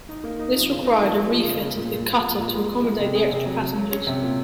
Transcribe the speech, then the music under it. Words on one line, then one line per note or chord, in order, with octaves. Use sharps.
This required a refit of the cutter to accommodate the extra passengers.
D#4
A#3
D#4
F3
C#3
D#4
F3
F3
F3
C#3
C#3
A#2
A#2
A#2
F3
A#2
G#3
F3
G#3
C3
G#4
C3
F#3
F#3
F#3
C#4
C3
A#2